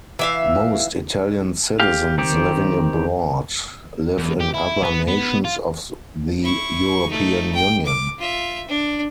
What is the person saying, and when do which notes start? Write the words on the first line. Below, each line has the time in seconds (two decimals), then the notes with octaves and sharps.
Most Italian citizens living abroad live in other nations of the European Union.
0.19 E3 E5 F5
1.80 G4 F5
2.18 D#3 C4 G4
4.18 E2
4.40 G4
4.54 E4
4.83 B3
5.08 B3
5.45 F4
6.43 E4 C#6
7.08 A3 D#4
7.55 G5
7.85 D6
8.19 F4 E5
8.68 D4